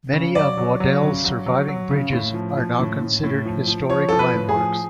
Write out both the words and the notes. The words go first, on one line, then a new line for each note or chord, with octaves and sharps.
Many of Waddell's surviving bridges are now considered historic landmarks.
C#3
F#3 D5
F#3
F#3
C#3
F#3
F#3
F#3
C#3
A2
F3
F3
A2
A2
A2
F3
F3
F3 C#5
F3 A4
B4
A2
G#4
F3